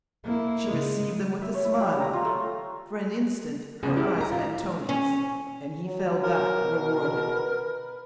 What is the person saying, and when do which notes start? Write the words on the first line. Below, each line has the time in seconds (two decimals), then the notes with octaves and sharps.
She received them with a smile; for an instant her eyes met Tony's, and he fell back, rewarded.
0.24 A#3 E4
0.66 C#3 G#3
1.42 E5
1.54 C#5
1.65 E4
1.80 G3
2.00 A#5
2.13 F4
2.25 A3
3.83 C#2 B3 G#4
3.97 A3 E4 G4
4.18 D#4 A#5
4.31 A2 F4
4.89 C#4
5.85 F#3
6.24 A#4
6.61 B2
7.33 B4